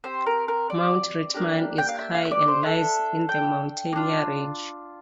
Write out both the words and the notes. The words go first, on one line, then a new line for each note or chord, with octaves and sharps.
Mount Rittmann is high and lies in the Mountaineer Range.
C4 G4 C5
A#4
A#4
D5
A#3 D4 G4
G5
F5
E5
F5
E5
D5
C5
D4 A4 E5
G5
A#3
D4 F4